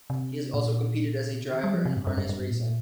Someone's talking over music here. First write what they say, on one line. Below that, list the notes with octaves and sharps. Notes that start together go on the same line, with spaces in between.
He has also competed as a driver in harness racing.
C3
A#2
C3
D#3
G3
F3
C3
G2
G2
G2
G2
A#2